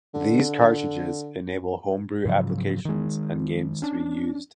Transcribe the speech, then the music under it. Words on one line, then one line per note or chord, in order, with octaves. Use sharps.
These cartridges enable homebrew applications and games to be used.
D3
G#2 C#3 F3 F#3
D#3 G#3
C#4 D4